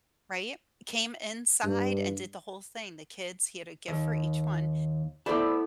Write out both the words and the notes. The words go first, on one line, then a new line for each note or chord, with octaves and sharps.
Right. Came inside and did the whole thing. The kids he had a gift for each one.
G2
D#2
A3 B3 E4 C5 D5 A5 B5 D6